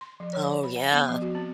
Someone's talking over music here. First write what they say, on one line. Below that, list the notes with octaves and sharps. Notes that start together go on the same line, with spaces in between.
Oh, yeah.
C6
F3
C#5
B5
F#5
B3
F3
F#4
C4